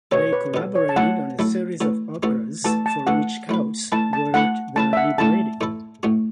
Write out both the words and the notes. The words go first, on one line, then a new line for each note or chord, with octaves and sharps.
They collaborated on a series of operas, for which Coutts wrote the libretti.
B2 B3 A4 C#5
B4
B2 B3 A4
C#5
A5
F#3 A3 E4 A4 F#5
F#3 A3 E4 A4
E3 A3 C#4 F#4 A4
E3 A3 C#4 F#4 A4
E3 A3 F#4 A4 A5
A5
E3 A3 F#4 A4 F#5
A3 E4 B4
A3 E4 B4 A5
A5
A3 E4 B4 F#5
A3 E4 B4 A5
E5
F#5
A2 A3 E4 A4 A5
A2 A3 E4 A4
A2 A3 C#4 F#4